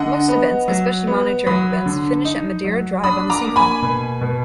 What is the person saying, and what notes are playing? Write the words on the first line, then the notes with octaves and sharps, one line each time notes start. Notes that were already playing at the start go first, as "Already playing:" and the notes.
Most events, especially motoring events, finish at Madeira Drive on the seafront.
Already playing: D3 D#5 F#5
B3
F#3
B3
F#3 B5 D#6
D3
D#4
F#3
D4 B5 D#6
A#5 D6
A#3
G#5 B5
B2
B2